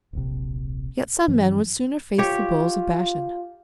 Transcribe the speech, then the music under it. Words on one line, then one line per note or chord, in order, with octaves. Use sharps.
Yet some men would sooner face the bulls of Bashan.
D1 A#1 C3
G2 E3 F#3 C#4
F4 G4 C#5